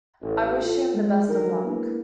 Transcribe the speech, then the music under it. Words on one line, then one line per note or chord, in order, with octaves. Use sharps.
I wish him the best of luck.
A1
F4 A4
G#3
D3 F#3 D#4 A#4
G#3 A#3 B3 D4 E4